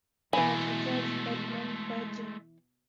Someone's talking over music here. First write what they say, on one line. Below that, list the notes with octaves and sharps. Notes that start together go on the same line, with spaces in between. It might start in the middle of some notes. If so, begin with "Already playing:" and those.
Senator George Edmund Badger.
B2 E3 F#3 G#3 A3 G#5 B5